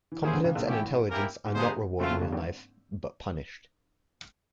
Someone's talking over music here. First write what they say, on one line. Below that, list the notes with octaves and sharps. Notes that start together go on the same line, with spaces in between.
Competence and intelligence are not rewarded in life but punished.
E3
D#2 D#3 A#3 C#4 E4 G#4 C5
D2 D3
C#2 C#3
A#1 A#2
A1 A2 A3 C#4 E4 G4
A#3 C#4 E4 G4 A#4
G#2
G1 G2 G#3 B3 D#4 G#4 C5
F#1 F#2 A3 C4 F4
F#1 F#2
G1 G2
G#1 G#2